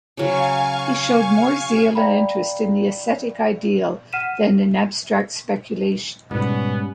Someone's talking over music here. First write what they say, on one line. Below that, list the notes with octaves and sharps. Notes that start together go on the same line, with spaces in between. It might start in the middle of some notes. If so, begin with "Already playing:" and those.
He showed more zeal and interest in the ascetic ideal than in abstract speculation.
C#3 F#3 F5 G#5 C#6
D5 F5 G5 A#5 B5
F#5 F6 B6 D#7 E7
G#2 B2 G3 B3 C#4